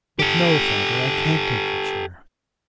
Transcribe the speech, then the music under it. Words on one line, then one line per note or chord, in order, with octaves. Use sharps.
'But no, father, I can't take your chair.
G4 A4